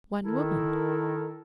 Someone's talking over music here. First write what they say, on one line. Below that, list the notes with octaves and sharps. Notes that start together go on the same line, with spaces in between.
One woman.
D#3 E4 A4 A#4